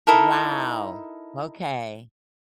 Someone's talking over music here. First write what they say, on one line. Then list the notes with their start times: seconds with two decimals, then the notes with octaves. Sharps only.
Wow. Okay.
0.07 D#4 E4 A4 A#4